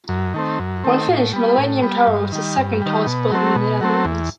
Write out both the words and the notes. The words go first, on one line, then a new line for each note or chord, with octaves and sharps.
When finished, Millennium Tower was the second tallest building in the Netherlands.
F#2
D#3 A3 C4
F#2
D#3 A3 C4
A2
G3 B3
A2
G3 B3
G2
D#3 G3
G2
D#3 G3
B2
F#3 A3 C4
B2
F#3 A3 C4
E2